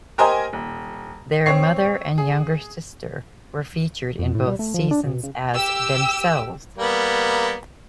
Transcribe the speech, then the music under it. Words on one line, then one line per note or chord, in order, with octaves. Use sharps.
Their mother and younger sister were featured in both seasons as themselves.
G4 A#4 C5 D#5 G#5 A#5
D#1
C4 C#5 C#6 C7
G#4
F2
A2
G3
A3
F3
D4
B2
C#3
G4 E6
G3 A#3 B3